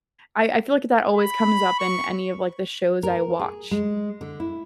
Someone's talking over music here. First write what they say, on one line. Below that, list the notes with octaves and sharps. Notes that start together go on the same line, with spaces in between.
I I feel like that always comes up in any of, like, the shows I watch.
B5
C#6
A#4
G#4
G#3
D3
E4